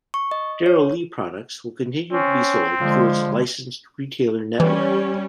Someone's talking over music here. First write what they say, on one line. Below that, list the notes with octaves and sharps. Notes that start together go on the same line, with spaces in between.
Darrell Lea products will continue to be sold through its licensed retailer network.
C#6
D#5
C#5
C4 C#4
D3 F3 G#3
E3 G3 C#4